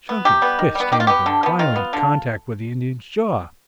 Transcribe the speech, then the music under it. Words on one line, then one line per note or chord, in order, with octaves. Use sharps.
Chunky's fist came into violent contact with the Indian's jaw.
B3
C3 G4
G3 B3
D#3
G3 B3
D#3 G4
F4
B3 G4
D3
F3 B3
D#3 F4
B3
D3